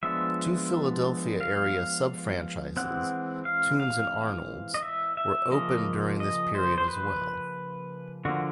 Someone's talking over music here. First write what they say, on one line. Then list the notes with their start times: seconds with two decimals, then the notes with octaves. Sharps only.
Two Philadelphia area subfranchises, Tunes and Arnold's, were opened during this period as well.
0.03 F3 G#3 B3 D4 E5
1.40 F5
2.77 E3 G#3 C4 F#5
3.45 F5
3.80 F5
4.74 D#5
4.83 E5
5.17 E5
5.51 C#3 F3 A#3 D#5
6.20 D#5
6.55 C5
6.78 C5
6.88 B4
8.25 D3 F3 A#3 F#4